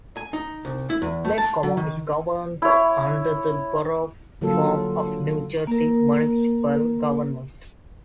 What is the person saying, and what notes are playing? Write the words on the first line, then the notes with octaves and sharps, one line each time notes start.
Lake Como is governed under the Borough form of New Jersey municipal government.
G#5
D#4
C2
E4
E2
A3
A5
F#3
D#3
E4 C#5
D3 F#3 G3 A#3 F4 A4
A#3 A#4